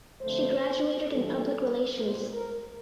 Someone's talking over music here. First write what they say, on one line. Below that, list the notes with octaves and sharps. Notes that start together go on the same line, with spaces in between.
She graduated in Public Relations.
F2 D3 F3 A3 C5
G2 E3 G3 A4
A#2 G3 C5
A#4